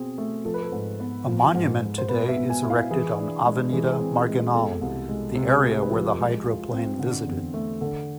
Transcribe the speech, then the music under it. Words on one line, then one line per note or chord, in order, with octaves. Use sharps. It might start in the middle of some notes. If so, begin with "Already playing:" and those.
A monument today is erected on Avenida Marginal, the area where the hydroplane visited.
Already playing: B2 C4 G#4
A3
F3 A4
B4
A4
G#2
B3
F3
G#2
G#3
C5
B3 B4
E5
B2
G#5
E4
F5
E3 G#4
D4
G#3
E3 G#4
G#4
C4
G#3
B2 A4
C2
G#3
C3
A3 G#4
B4
F3 A4
G#3
F4
C4
D3
E2
A3
D3 A4